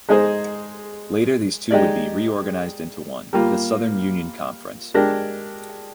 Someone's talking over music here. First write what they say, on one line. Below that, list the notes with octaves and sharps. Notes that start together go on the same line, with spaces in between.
Later these two would be reorganized into one, the Southern Union Conference.
G#3 D#4 G#4 C5
G#3 D#4 G4 D5
G3 A#3 F4
G#3 D4 G4 A#4